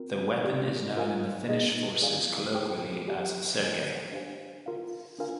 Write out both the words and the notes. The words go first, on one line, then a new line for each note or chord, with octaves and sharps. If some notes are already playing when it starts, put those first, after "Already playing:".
The weapon is known in the Finnish forces colloquially as Sergei.
Already playing: C4 F4 A#4
C4 G4 D5
F4 A#4 F5 G#5
D#4 G#4 D#5
G#4 D5 F5 G#5
G#4 C5 G5
G4 D5 G#5
G#4 C5 D#5 G#5
D4 G4 C5 F5 G#5
F4 A#4 F5
D4 F4 A#4 F5 G#5